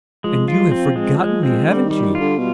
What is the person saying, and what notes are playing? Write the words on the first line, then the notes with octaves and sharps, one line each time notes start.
And you have forgiven me, haven't you?
F3 G#3
F4
F3
C4
F3 G#3
G#3
C4
D3 G3
D#3
G3
D#3
F4
D3
B2